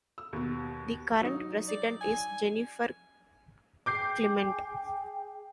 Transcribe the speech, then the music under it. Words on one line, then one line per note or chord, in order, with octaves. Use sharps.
The current President is Jennifer Clement.
E6
D#2 B2
F#3 D#4
D5
G#5
G#4 G5 G#5 D6 G6 C7